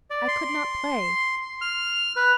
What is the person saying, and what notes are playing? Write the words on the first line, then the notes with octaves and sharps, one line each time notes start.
I could not play.
D5
C6
F6
B4